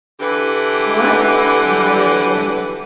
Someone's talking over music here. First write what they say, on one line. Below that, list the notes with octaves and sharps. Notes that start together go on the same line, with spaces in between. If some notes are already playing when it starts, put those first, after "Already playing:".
"What!" incredulously.
D3 E3 G4 B4 F#5